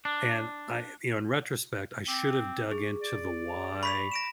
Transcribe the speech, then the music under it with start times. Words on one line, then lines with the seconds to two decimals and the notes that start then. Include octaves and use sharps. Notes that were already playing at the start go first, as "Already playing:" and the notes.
and I, you know, in retrospect, I should have dug into the why,
0.05 D4
2.08 C4 D6
2.71 G#4
3.02 D5
3.83 B5 C#6 B6 F7
4.12 A#6 D7 E7